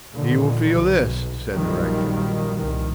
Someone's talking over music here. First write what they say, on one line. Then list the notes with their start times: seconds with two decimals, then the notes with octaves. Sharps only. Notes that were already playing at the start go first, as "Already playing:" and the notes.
"He will feel this," said the rector.
0.14 A#2 D3 D#3 F3
0.70 B1
1.52 A#1 F#2 D#3 F3 G3
2.57 C2 A#2 D#3